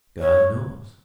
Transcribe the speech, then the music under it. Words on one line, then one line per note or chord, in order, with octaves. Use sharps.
God knows!
C#5